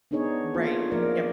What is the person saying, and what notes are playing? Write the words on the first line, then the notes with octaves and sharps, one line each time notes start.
Right. Yep.
B3 D4 D#4 G#4 C#5
A#3 F4
F3 F#3 A#3 C4 A#4 D5